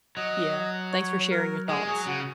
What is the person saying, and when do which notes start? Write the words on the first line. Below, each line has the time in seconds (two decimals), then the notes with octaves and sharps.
Yeah, thanks for sharing your thoughts.
0.17 F#3 D#5
0.92 C#5
1.31 A#4
1.69 G#3 G#4
1.88 F#3 G#4
2.07 C#3 F#4